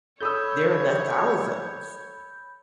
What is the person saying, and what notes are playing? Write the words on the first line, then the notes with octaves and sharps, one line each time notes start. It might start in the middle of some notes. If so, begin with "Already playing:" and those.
they're in the thousands,
A4 C#5 B5 D#6 E6 G6